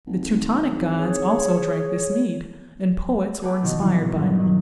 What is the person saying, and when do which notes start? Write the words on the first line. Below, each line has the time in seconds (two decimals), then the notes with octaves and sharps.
The Teutonic gods also drank this mead, and poets were inspired by it.
0.07 G#1
0.98 G#4 C#5
3.42 G#4 A4 B4 F#5 G5 D6
3.62 B2 D#3 F3 B3 F#4 A4
3.79 C#3 E3 F#3 G#3
3.98 A#1
4.16 G2 C#4 F#6
4.35 D#3 F#3